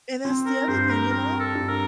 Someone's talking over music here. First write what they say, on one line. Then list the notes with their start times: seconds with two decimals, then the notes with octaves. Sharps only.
And that's the other thing, you know?
0.25 C4
0.46 A#4
0.68 G2 C5
0.89 A#4
1.11 C4 A#4
1.40 A4
1.55 G2
1.69 A#4